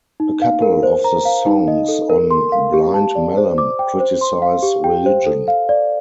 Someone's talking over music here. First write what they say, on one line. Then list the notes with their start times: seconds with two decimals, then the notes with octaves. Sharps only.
A couple of the songs on "Blind Melon" criticize religion.
0.20 D#4
0.42 F5
0.62 A#4
0.83 C5
1.04 A#5
1.25 F5
1.47 D#4
1.68 D#5
1.88 A4
2.10 A#4
2.31 C6
2.52 F5
2.73 G4
2.94 A5
3.15 D5
3.37 C5
3.58 D6
3.79 G5
4.00 C5
4.21 C6
4.42 F5
4.63 G4
4.84 G5
5.06 C5
5.26 A4
5.48 F5
5.69 D5